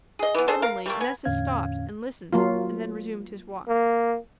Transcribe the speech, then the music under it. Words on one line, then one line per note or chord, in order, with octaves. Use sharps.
Suddenly Nessus stopped and listened, and then resumed his walk.
G#4 D#5
E3 B3
G#4 A4 C5
A#4 F5
G3 A3 A#3
B3 G#5
E2 A2 D3 C#4 F5 G#6
F#3 A#3 F4
A#3